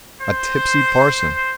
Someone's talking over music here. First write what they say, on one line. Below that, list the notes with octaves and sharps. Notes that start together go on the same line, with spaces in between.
"A tipsy parson."
C5